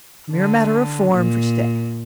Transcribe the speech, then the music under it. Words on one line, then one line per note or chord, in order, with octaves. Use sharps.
A mere matter of form for to-day.
D3
A#2